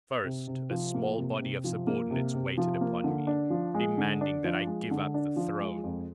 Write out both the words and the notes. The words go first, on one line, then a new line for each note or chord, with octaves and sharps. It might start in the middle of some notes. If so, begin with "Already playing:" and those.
First, a small body of subordinates waited upon me, demanding that I give up the throne.
C3
C3
F3
A#3
C3
C3
F3
A#3
C3
C3
F3
A#3
D3
D4
F3
G#3
D3
D4
F3
G#3
D3
D4
F3
G#3
F2